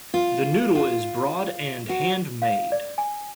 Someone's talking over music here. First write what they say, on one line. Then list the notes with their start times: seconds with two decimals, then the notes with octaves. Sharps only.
The noodle is broad and hand-made.
0.14 F4
0.75 F4
1.89 F#4
2.42 F5
2.72 D5
2.98 G#5